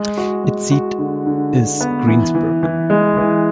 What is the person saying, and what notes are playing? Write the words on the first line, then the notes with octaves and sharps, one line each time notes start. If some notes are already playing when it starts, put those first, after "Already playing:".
Its seat is Greensburg.
Already playing: G#3
F#4
G#3
F#4
D3
D3
D3
B3
E3
E3
E3
G#3
E3